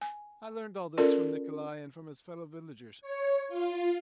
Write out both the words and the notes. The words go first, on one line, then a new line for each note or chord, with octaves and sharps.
I learnt all this from Nikolay and from his fellow villagers.
G#5
C#4 F4 A4 A#4 D5
C#5
F4